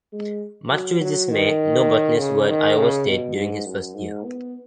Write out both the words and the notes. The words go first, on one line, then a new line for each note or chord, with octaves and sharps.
Much to his dismay, no botanists were at Iowa State during his first year.
G#3
F#3
F#3
D#3
C#3
D#3
C#3
B2
G#2
F#2
G#2
B3